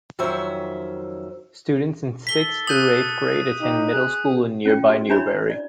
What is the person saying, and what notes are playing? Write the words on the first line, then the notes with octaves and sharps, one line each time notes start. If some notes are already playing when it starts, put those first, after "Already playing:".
Students in sixth through eighth grade attend middle school in nearby Newberry.
F2 D#3 F#3 C#4 C5 E5
A4 B6 G7
D#6 F#6 G6 D#7 F#7
D#4 G4
G#4 F#6
C#4 F4 G5
F#4 G#4
D4 E4 F#4 C#5 E5 B5
D5